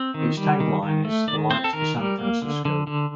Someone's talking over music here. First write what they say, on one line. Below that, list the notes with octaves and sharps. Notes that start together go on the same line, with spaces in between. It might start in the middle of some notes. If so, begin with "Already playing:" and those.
Its tag line is "The Light for San Francisco".
Already playing: C4
D#3
G3
D#3
D#3
A3
D#3 D5
C4 C5
A4
D#3 A#4
G3
A#3
D3
D3
D3